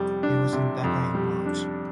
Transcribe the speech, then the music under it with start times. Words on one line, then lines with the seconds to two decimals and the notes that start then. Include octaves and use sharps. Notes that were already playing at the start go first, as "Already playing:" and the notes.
He was in Dhaka in March.
Already playing: F2 C3 G3
0.23 D4
0.53 C3
0.84 F2
1.15 G3
1.46 D4